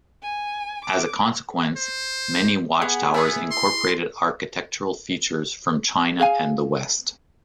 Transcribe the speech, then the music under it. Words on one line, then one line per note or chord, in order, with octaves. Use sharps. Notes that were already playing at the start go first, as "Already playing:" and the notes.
As a consequence, many watchtowers incorporated architectural features from China and the West.
G#5
D6
C5
B3 G#4
B3 E4 G#4 D#6
C6
G#4 F5 G#5